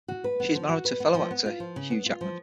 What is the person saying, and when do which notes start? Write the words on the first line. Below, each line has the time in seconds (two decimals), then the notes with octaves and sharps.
She is married to fellow actor Hugh Jackman.
0.08 F#4
0.24 B4
0.40 B3
0.55 F3
0.69 F#4
0.85 B4
1.00 B3
1.14 F3
1.31 B3
1.46 F4
1.60 F3
1.76 C#3
1.91 B3
2.06 F4
2.21 F3